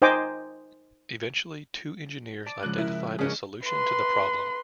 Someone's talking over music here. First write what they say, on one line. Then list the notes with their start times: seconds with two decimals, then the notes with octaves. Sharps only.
Eventually two engineers identified a solution to the problem.
0.02 D#4 C5 D#5 G5 G#5 D6
2.46 D5 A5 D6
2.63 G#2 C#3 F3 F#6
2.78 E4 A#4
3.19 C#3 C#4 D4 G#4 A#4 D#5
3.65 B4 C6